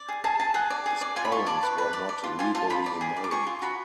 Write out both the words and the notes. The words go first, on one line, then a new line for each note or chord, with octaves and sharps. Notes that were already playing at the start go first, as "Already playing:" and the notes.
His parents were not legally married.
Already playing: D5
G#4
G#4 A5
G#4 A5
G#4 F#5
D5
G#4
D5
F4 G#5
B5
F4 C#6
D5 A5
B4
B4
D5
D5
F4
F4 G#5
F4 A5
F4 B5
D5
G#4
D5
D6
G#4 C#6
F4
F#4 B5